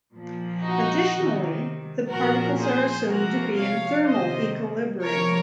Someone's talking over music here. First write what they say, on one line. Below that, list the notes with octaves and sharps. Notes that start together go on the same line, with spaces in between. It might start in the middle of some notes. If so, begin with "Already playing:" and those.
Additionally, the particles are assumed to be in thermal equilibrium.
A#2 F3
D#4 F#4
C3 D#3
A#2 F3 F#4 A#4
G#4 C5
C3 F3 F#4 A#4
C#5 F5
C3 D#3 C5 D#5
C3 F3 A#4 C#5